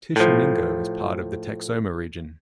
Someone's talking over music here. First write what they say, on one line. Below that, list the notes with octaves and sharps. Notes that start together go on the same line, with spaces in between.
Tishomingo is part of the Texoma Region.
A2 F3